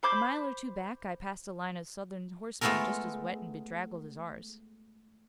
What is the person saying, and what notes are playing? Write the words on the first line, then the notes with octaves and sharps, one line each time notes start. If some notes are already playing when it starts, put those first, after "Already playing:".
"A mile or two back I passed a line of Southern horsemen, just as wet and bedraggled as ours."
C5 B5 D6 G6
G#3 A3 B3 F4 A4 A#4